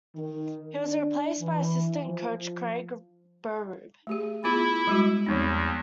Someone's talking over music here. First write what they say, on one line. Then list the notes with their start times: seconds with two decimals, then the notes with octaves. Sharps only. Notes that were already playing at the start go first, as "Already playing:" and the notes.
He was replaced by Assistant Coach Craig Berube.
0.16 D#3
0.78 D4
1.40 E3
2.06 F3
4.07 A3 G4 G#4
4.44 B3 E4 F4 G#4
4.87 G3 G#3 F#4
5.26 E2 F3 C4 D#4